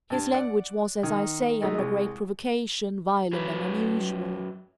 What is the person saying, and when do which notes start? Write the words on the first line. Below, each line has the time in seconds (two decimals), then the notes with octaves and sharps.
His language was, as I say, under great provocation, violent and unusual.
0.10 G2 A5
0.34 D5 F#5
1.03 D#3
1.62 G#3 A3 D#4
1.75 C2 G#3
3.33 F#2 F#3 B4